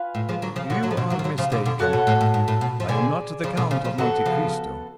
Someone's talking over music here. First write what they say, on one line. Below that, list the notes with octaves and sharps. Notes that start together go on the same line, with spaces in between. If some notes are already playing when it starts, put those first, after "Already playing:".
"You are mistaken--I am not the Count of Monte Cristo."
Already playing: F4 B4 F5 G#5
A2
F3 G#3
D3 F#3
C#3 F3
B2 D3 F#4 C#5 F#5
D3 F#3
F3
B2 D3
D3 F#3
F3
D3 F#3
C#3 F3
B2 D3
B2 D3
C#3 F#4 A4 C#5 F#5
B2
A2
A2
G#2
A2
B2
F3
B2 D3 G#4 D5 G#5
C#3 F3
B2 D3
C#3 F3
C#3 F3
D3 F#3 B3 F#4 A4
C#3 F3